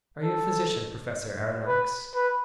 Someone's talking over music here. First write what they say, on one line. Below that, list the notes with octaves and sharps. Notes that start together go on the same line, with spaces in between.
"Are you a physician, Professor Aronnax?"
A4
B4
B4